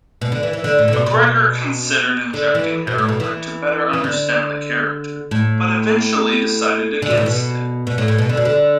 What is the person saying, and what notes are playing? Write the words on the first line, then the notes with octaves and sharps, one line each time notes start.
McGregor considered injecting heroin to better understand the character, but eventually decided against it.
B2
D3
E3
E3
D3
A2
D3
B2
B2
D3
E3
B2
A2
B2
E3
E3
D3
A2
D3
B2
A2
B2
B2
A2
A2
B2
D3
B2
D3